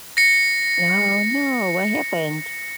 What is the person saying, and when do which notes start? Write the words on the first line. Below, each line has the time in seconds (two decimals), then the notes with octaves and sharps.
Oh, no! What happened?
0.17 A#6 C#7